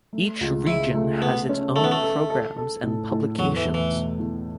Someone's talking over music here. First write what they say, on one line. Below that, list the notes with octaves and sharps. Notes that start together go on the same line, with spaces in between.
Each region has its own programmes and publications.
A3
C#2
C#3 E4
A3
B3 A4
C#4
A3 A4
B3
A3
A4
A4
A4
A2
A2
E2 F#3
E3
E2
E3
B2
E2